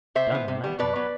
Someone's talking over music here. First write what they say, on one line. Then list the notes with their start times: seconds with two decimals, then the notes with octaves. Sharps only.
"Done the Latin!"
0.15 C3 C5 E5
0.32 E3 B3
0.48 C3
0.64 G3 B3
0.79 B2 B4 D5
0.95 F#3 B3